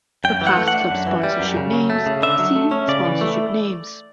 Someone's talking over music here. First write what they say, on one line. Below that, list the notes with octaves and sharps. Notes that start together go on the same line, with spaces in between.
For past club sponsorship names, see sponsorship names.
F#2 G5
E3
F#5
A3
F#5
D4
F#2
E3
G3
F#2
C#3
F#3
A3
C#3
D3 E5
F#3
A3
C#4
C#3 D5
E3
A3